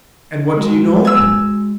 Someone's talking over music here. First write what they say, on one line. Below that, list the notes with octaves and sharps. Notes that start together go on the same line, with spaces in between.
"And what do you know of him?"
G#3 F#4
G#5 E6